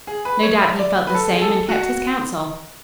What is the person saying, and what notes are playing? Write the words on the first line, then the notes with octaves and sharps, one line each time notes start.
No doubt he felt the same and kept his counsel.
G#4
B4
C#5
E5
D5
B4
A4
G#4
A4
F#4